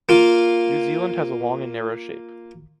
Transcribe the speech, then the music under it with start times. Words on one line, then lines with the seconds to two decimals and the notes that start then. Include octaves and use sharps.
New Zealand has a long and narrow shape.
0.09 A#3 F4